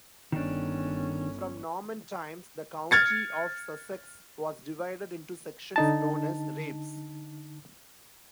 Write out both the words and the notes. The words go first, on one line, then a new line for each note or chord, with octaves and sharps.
From Norman times the county of Sussex was divided into sections known as "rapes".
G1 D#3 C#4 D4
F6 G#6 A6 C#7
D3 D#4 A5